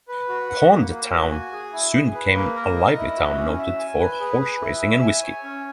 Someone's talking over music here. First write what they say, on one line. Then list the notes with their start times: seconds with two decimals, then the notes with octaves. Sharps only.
Pond Town soon became a lively town noted for horse racing and whiskey.
0.08 B4
0.29 F#4
0.49 F#5
0.70 A#3
0.91 A#3
1.11 F#4
1.31 G#5
1.52 G#4
1.73 E4
1.93 G#4
2.15 B4
2.34 A#3
2.55 A#4
2.76 D#5
2.97 E4
3.17 F#4
3.38 C#4
3.58 E5
3.79 G#5
3.99 B4
4.20 G#4
4.41 B4
4.61 E4
4.82 E5
5.02 G#5
5.23 C#5
5.43 C#4